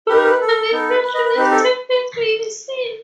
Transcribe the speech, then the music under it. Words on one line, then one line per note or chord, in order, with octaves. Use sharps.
All over the country these temples may be seen.
D#4 G4 B4
B4
A4
B3 D#4 A4
B4
B4 D#5
B4
C4 D#4 G4 B4
A4